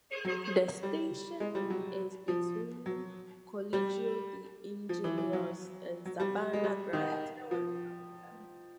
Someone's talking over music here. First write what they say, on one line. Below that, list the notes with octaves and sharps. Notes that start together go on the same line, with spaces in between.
The station is between Colegio de Ingenieros and Sabana Grande.
F#3
G3
G#3
G3
F#3
F3
F#3
G3
F3
E3
E3
F#3
F#3
G3
G#3
G3
D#3
F3